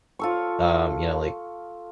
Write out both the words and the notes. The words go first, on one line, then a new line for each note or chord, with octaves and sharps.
um, you know, like
F4 A4 C#6